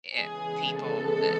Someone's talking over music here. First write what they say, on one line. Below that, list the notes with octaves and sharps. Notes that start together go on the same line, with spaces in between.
eh, people, eh
C#3 E3 G#3 B3 G#4
A4